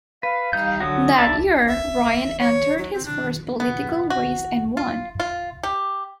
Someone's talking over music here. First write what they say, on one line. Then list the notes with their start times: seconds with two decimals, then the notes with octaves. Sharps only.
That year, Ryan entered his first political race and won.
0.23 B4 F5
0.53 G3 D#4 G6
0.80 D3 F#3 F#4 D#6
1.18 D5 E5 A5
1.68 E5
2.40 C#5
2.78 F#3
2.94 C4
3.05 D4
3.60 B3
4.10 F#4
4.77 F4
5.20 F4
5.63 G4